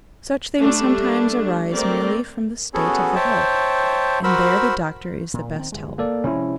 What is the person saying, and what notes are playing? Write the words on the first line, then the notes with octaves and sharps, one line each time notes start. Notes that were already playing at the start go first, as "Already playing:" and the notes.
"Such things sometimes arise merely from the state of the health, and there the doctor is the best help."
G3 A3 D4
A3 C4 A#4 D5
B3 C#4 F#4 G#4 A4
C5 C#5 E5 G5 A5
F#4 A#4 C5 B5 E6
A#2
D#3 C4
G1 G#3
A#3 A4 D5
C3 F3 G#3 C#4 E4